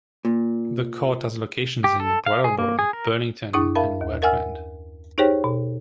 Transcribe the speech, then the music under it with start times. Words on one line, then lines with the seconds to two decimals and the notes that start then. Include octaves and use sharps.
The court has locations in Brattleboro, Burlington, and Rutland.
0.25 A#2
1.84 G4
2.00 A4
2.26 F5
2.44 G#4
2.59 A#3
2.79 G#4
2.93 A#4
3.53 F#2 D4 E4 G#4 C#6 D#6
3.75 A#4 E5 F5 A5 B5
4.01 D#2
4.22 A#4 E5 F#5 G#5 E6 F6
5.18 D#4 G4 G#4 C5 C#5 G5
5.44 B2